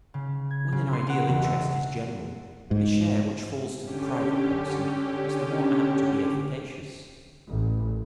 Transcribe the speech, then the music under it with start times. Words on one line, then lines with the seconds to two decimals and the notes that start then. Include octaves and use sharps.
When an ideal interest is general the share which falls to the private person is the more apt to be efficacious.
0.14 C#3
0.51 G#6
0.72 C#3
0.93 C6
1.10 F#5
1.28 E1
1.44 E5
2.71 G#2
3.82 D3 C#4 G4
7.48 A1